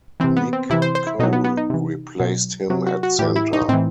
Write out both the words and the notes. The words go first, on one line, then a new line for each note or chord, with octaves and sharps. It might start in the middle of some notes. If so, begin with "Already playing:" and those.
Nick Cole replaced him at center.
C3 E3 C4
B3
C4
C3 E3 E4
C5
C5
E4
B2 F#3 D#4
B3
B3
D#4
C3 E3
B2 F#3
C3 F#3
F#4
F#4
A2 E3 G4
E4
D#4
A2 E3 C4